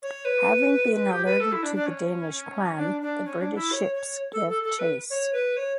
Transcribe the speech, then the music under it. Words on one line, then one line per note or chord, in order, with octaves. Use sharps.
Having been alerted to the Danish plan, the British ships give chase.
C#5
B4
B4
G4
B4
A4
E4
D4
D4
C#4
D4
D4
C#4
D4
E4
C#5
C#5
A4
A4
A4
B4
C#5
B4
C#5